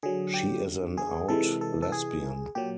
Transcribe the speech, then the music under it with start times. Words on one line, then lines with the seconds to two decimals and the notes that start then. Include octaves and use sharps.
She is an out lesbian.
0.03 D3 F#3 G#4
0.34 G4
0.97 G#4
1.28 C3 E3 G#3 A4
1.61 A4
1.82 A4
1.92 G#4
2.55 A#2 F#3 G4